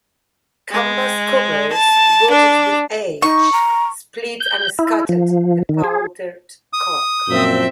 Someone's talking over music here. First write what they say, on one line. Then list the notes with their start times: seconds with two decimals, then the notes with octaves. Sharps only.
Canvas covers, rotted with age, split and scattered the powdered cork.
0.72 G#3
1.73 A5
2.30 D4
3.22 D#4 C#6
3.52 A#5
4.40 G6
4.79 E4
5.09 F3
5.69 D#3
5.84 G#4
6.73 D#6
7.28 F#2 A#2 F3 C4 E5 G6